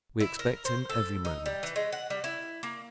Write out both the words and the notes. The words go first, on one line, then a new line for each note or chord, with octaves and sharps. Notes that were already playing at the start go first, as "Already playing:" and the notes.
"We expect him every moment."
E4
A#4
C5
A4
D#4
G3
E3
G#3
F#5
G3
E4
A#3